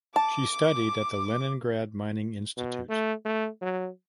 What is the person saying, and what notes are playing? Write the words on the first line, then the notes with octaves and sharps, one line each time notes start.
She studied at the Leningrad Mining Institute.
A5 D6
B2
A3
A3
F#3